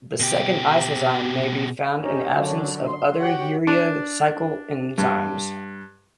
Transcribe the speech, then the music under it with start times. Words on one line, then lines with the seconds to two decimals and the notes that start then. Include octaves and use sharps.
The second isozyme may be found in the absence of other urea cycle enzymes.
0.20 B2 G4
1.99 C#4 D#4 G4
2.33 F#2 D3 F#3 D4
2.88 C6
3.19 F#4 G4 C#5 F#5 G5
3.67 D4
4.98 G2